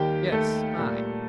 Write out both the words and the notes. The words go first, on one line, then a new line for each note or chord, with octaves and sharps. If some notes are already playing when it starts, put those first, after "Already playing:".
"Yes, I!"
Already playing: D#2 D#3 G3 A#3 G4 G5
A3 A4
A#2 G3 A#3